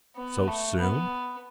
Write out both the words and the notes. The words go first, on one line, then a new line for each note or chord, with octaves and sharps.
"So soon?"
B3
A3
B3